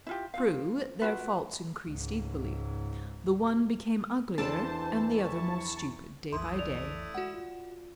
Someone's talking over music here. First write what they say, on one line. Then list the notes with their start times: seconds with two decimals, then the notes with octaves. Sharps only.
True, their faults increased equally: the one became uglier, and the other more stupid, day by day.
0.07 E4 F4 G4
0.34 F4 F5
1.01 F4 F#4 B4
1.87 C#2 G#2
4.38 E2 E3 D4 A4 C5 A5
5.13 E4 C#6
6.33 B1 F2 E3 A3 E4 C6 D#6
6.59 D5 F7
7.15 G#3 F#4 F#5
7.34 F4